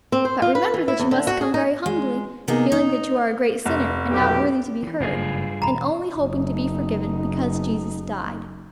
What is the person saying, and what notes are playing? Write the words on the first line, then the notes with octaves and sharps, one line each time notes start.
But remember that you must come very humbly; feeling that you are a great sinner, and not worthy to be heard, and only hoping to be forgiven, because Jesus died.
C4
C5
F4
B4
E3
E4
E2
D3
F#4
G#4
D#4
G#3
C3 A#3 B3 D#4 G#4
D#4
F1
B1 A2 G4
D#3 E3
F#1 G2 A3 F4 G#4
E1 A#5 B5
F#1 D#4